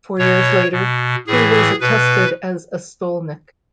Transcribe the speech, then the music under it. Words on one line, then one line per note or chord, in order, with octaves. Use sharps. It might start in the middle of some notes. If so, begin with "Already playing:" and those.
Four years later, he was attested as a stolnik.
B2 C#5
B2
A2 E3 G#4
B2 B4